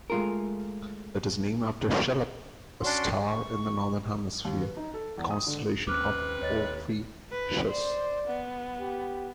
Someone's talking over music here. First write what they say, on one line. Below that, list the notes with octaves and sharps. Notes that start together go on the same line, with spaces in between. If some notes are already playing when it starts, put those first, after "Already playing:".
It is named after Cheleb, a star in the northern hemisphere constellation of Ophiuchus.
G#3 A3 F4 G#4 A#4
C#4 D4 F#4 C6
C#6
D#2
B4
D#4
A4
E2
D#6
D3
D#2 C3 C#4 B4 D6 F6 F#6
D#2 C#5 D#5 A6
B4
C5 D5
B3
G4